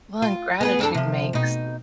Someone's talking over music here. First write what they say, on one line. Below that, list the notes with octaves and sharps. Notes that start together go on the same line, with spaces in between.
Well, and gratitude makes
F4
B3 G#4 B4
F2 D4 A4
C3 F3
B2 D#4